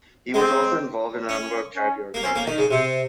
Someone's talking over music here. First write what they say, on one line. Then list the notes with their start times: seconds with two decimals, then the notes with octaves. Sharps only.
He was also involved in a number of charity organisations.
0.34 G#3 C4
1.29 C#4
1.76 C#4
2.14 A#3
2.23 C4 C#4
2.36 A#3
2.47 D#3
2.58 C#3
2.70 C3 C4